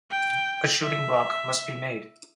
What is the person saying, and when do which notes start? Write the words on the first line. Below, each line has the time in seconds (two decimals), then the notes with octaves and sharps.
A shooting-block must be made.
0.10 G5
0.81 E5